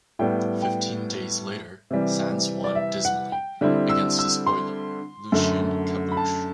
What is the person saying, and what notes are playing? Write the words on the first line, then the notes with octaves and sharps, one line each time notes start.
Fifteen days later Sands won, dismally, against a spoiler, Lucien Caboche.
A2 G3 B3 G5
G5
C3 E3 G3
D5
E5
F#5
G5
D3 G3 C4 E4
E6
E6
C6
F#2 D3 A3
B5
A5